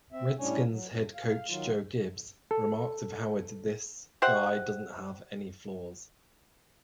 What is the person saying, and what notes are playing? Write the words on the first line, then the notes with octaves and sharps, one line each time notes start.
Redskins head coach Joe Gibbs remarked of Howard This guy doesn't have any flaws.
C4 E5
A2 G3 C#4 D4 C#5 G#5
F#3
F#2
F5
D#3 F#3 F4
A4
G4 C5 E5 F#5